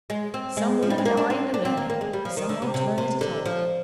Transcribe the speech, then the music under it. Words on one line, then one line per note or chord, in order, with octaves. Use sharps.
Some women die in the learning. Some won't learn it at all.
G#3
C4
G#3
F3
G3
G#3
A#3
D4
C4
D4
C4
A#3
A#3
G#3
G3
F3
D#3
D3
C3
C3
C3
D3
F3